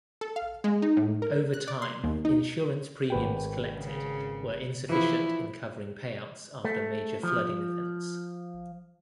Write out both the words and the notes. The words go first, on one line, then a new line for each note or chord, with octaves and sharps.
Over time, insurance premiums collected were insufficient in covering payouts after major flooding events.
A4
F5
G#3
D#4
A2
A#4
F#6
D5
C6
D#2
D#4
G#1 B4 G5
C#3
E3 F3 E4
A3
F3